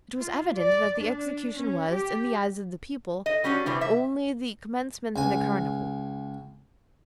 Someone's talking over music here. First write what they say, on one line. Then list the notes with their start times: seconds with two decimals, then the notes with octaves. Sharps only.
It was evident that the execution was, in the eyes of the people, only the commencement of the Carnival.
0.19 F4
0.56 D5
1.02 D4
1.58 C#4
1.91 G4
3.26 D#5
3.44 G3 C#4 D4 F#4
3.66 C3 E3 G3
3.81 E5
5.16 C#2 G#5